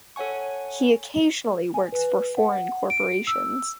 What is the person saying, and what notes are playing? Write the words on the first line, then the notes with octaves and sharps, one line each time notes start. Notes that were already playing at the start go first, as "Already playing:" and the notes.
He occasionally works for foreign corporations.
A4 C#5 F#5 G#5 C#6
G#5
B4
F#5
D7
E6